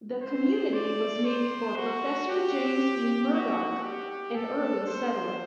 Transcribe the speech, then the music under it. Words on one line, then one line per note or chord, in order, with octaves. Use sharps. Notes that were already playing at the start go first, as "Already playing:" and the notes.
The community was named for Professor James E. Murdoch, an early settler.
C5
D5
C5
F#4
G4
F#4
G4
A4
C5